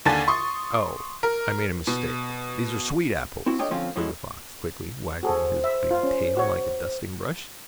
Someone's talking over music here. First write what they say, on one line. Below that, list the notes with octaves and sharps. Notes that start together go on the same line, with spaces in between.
"Oh, I made a mistake, these are sweet apples," said the fox, quickly, waggling his big tail like a dusting brush.
D#2 D3 G#5 A5 A6
C6 C#6 D#6
A#4
B2
C4 E4 F#4
A3 D4 F4 C#5 D#5 G5
D3 F3 A3 C4 C#4 F4
F#2 F3 F#3 G#3 A3 E4
F#4 G#4 A4 C5
E5
F4
C#4
F#4 C#5